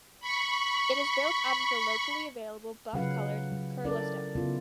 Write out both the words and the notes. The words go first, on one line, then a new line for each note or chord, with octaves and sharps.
It is built out of the locally available buff coloured Kurla stone.
B5 C#6
C#3 F#3 F4 B4 F5 F#5
F#3
C#4 D4 E4 A4 A#4 D5
C#3 B3 E4 F4